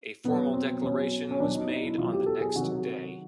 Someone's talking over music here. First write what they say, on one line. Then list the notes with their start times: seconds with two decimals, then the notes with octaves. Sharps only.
A formal declaration was made on the next day.
0.24 B2 F#3 B3
0.53 C4
0.82 B2 F#3 C#4
1.31 C#4
1.40 B2 F#3 D4
1.54 D#4
1.68 D#4
1.83 E4
1.98 B2 F#3 F4
2.12 G4
2.26 A4
2.41 G#4
2.56 C3 D#3 F#3 F#4